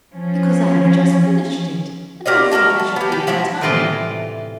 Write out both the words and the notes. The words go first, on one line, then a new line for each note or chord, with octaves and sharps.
"Because I have just finished it, and I thought I should be in time."
F3 C#4
G4 A#4 D5 D#5
A3 F#4 G4 A#4
A5
B3 G4
G4
F3 E4 F#4 E5
A2 C3 E3 F4 D5 D#5